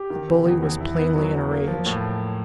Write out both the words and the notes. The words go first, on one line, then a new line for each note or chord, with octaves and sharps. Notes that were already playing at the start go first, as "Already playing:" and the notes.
The bully was plainly in a rage.
Already playing: G4
D#3
C3
E2
E2
E4
B3
F#3
F#3
A#3
F3
A2